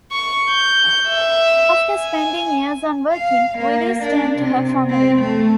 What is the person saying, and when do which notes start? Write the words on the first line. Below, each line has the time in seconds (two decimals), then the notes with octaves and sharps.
After spending years on working, Willis turned to her family.
0.12 C#6
0.50 G6
1.08 E5
1.96 G#5
3.13 F5
3.58 A#3
4.03 D4
4.38 C3
4.89 C4
5.19 A3